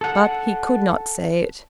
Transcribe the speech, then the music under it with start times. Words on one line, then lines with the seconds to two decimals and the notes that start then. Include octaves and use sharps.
But he could not say it.
0.01 A4 F#5